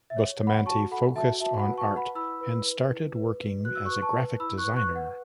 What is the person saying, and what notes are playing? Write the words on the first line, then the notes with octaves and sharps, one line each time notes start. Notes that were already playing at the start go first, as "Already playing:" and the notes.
Bustamante focused on art and started working as a graphic designer.
E5
C#5
C#5
F#5 B5
F#4 A5 C#6
A4 F#5 B5
F#4 E5 A5
F#4 E5 A5
F#5 B5
B4
A5 C#6
B4
F#5 B5
E4 B5 E6
B4
B4
E4
B4
B4
F#4 F#6
E6
C#6 F#6
B4
A5 C#6
B4
E4 B5 E6
C#6 F#6
B4
C#6 F#6
B4
F#5